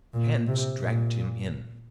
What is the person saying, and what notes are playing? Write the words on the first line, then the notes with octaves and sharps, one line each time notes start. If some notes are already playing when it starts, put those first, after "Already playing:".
Hands dragged him in.
A#2
C3
A#2